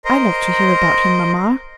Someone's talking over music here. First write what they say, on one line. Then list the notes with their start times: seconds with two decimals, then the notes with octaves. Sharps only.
'I love to hear about him, mamma.
0.05 A#4 C5 D#5 A#5 C6